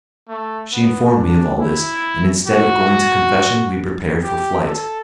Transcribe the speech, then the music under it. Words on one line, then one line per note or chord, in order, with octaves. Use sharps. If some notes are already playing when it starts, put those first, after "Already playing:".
She informed me of all this, and instead of going to confession we prepared for flight.
A3
B3
D4
E4
F#4
G4
A4